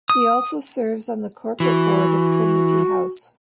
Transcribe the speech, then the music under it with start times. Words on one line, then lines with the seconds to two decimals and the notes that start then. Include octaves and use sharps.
He also serves on the Corporate Board of Trinity House.
0.10 D#6
1.60 E3 F#4